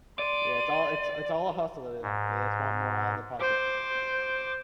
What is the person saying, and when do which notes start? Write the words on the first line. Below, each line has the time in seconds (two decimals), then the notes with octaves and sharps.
Yeah, it's all it's it's all a hustle to them. They just want more out of the pockets,
0.19 D5 C6 D#7
2.02 G#2
3.40 C5 D6